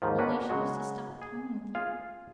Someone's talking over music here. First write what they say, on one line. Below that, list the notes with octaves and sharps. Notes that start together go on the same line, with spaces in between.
Only she used to stop at home with you.'
D#2 G#2 D#3 F3
A#3 C#4 D4 F#4 B4
C#3 F#3 G#3 F#4
G#4
F4 G#4 F5